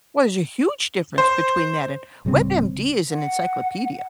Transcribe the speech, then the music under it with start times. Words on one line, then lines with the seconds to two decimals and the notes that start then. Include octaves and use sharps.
Well, there's a huge difference between that and WebMD is an encyclopedia.
1.18 C5
2.25 D1 C#3 G3 C4
3.11 F#5